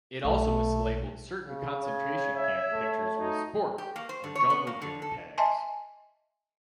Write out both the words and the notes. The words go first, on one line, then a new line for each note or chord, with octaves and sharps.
It also mislabeled certain concentration camp pictures with "sport" or "jungle gym" tags.
B1 A3
C#3
C#5
E5
A3
D#4 F#4
G4
A#3
C5
D3
C#5
B3
A#3
D3
A4
D#5 E5 G#5 A5 C6